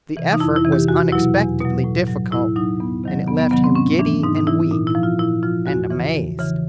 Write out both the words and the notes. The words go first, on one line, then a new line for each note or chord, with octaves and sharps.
The effort was unexpectedly difficult, and it left him giddy and weak--and amazed.
C3 E3
D#4
F2 E4
E4
C3 E3
G4
E2 F#4
B2 F#3 E4
E2
B2 F#3
A2
F#3
A2 E4
F#3 D#4
E2 B3
C3 D#3 F#3
E2 B3
B3
C3 D#3 F#3 B3
C4
G#2 C#4
E3 D4
G#2 D#4
D#4
E3 E4
A#2 D#4
E4
F3
F4
A#2 E4
F3 F4
E2 F#4
C#3 E3
E2
C#3 E3